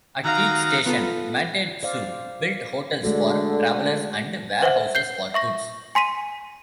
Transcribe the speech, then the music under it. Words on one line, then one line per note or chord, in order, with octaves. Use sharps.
At each station, "Mantetsu" built hotels for travelers and warehouses for goods.
D#3 F#4 F5 A#5
B3 F4 A4 B4
C5 D5 F5
D3 G#3 A3 F#4
B4 C5 E5 F#5
G6 C7 G7
E5 C#6 A#6
G#5 C6 B6 D#7